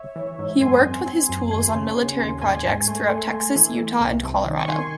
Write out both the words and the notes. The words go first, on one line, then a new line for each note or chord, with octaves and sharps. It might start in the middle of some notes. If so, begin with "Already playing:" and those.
He worked with his tools on military projects throughout Texas, Utah and Colorado.
Already playing: C#5 E5
E3
G#2
F#2 G#5 C6
C4
C4
F#2
D#2 G#5 C6
C#3
C#3
D#2
G#2 G#5 C6
G#2
A3
A3
A3
E3
E3
C2
C3
D#3
C#6
D#3 G#5 C6